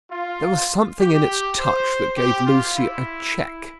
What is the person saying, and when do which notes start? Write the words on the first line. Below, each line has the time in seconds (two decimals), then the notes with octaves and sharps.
There was something in its touch that gave Lucie a check.
0.11 F4
1.00 G4
1.58 C5
2.18 G4
2.47 F4
2.76 E4